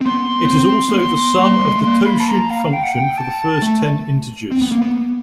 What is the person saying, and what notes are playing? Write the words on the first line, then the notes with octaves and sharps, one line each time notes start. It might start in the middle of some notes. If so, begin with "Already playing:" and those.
It is also the sum of the totient function for the first ten integers.
C4
B3 C6
B3
C4
A#3
B3
A#3
G3
G#3
A3
A#3 C6
B5
A5
A#5
F5
G5
F#5
G5
A5
A3
C4
B3
A#3
B3